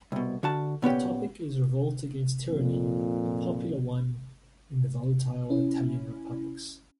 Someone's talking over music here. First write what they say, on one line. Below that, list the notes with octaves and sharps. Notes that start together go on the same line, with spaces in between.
The topic is revolt against tyranny, a popular one in the volatile Italian republics.
C2 B2
D3 F#4 A5
A#2 B3 C#4 G4
F2 A#2
C#4 E4